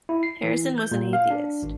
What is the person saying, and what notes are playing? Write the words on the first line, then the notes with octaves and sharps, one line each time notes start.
Harrison was an atheist.
E4
C7
E3
G6
A#2
F5
D4
G#1